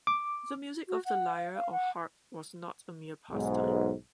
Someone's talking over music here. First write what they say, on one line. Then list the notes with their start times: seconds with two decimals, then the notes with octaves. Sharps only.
The music of the lyre or harp was not a mere pastime.
0.07 D6
0.87 F#4
1.04 F#5
1.35 F5
1.54 F5
1.71 F#5
3.32 B1 G#2